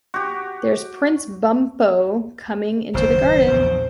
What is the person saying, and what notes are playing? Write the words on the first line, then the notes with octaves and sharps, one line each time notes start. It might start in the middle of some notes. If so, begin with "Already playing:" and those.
There’s Prince Bumpo coming into the garden!
F#4 G4
F#1 D#2 A#3 C5
A#1 E2 C#3